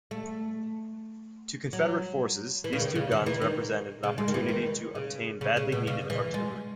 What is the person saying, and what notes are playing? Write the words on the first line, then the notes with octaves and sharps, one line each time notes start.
To Confederate forces, these two guns represented an opportunity to obtain badly needed artillery.
A3
F#3
E3
C#3
D#3
C#3
D#3
E3
D#3
C#3
G#3
D#3
E3
D#3
C#3
C#3
C#3
B2
C#3
E3
G#3